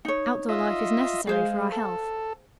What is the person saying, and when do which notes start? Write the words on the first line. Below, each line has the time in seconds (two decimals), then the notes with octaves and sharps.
Out-door life is necessary for our health.
0.05 D#4 C#5
0.49 F4 D#5 E5
1.27 G#3 G#4 C5 F5
1.72 A4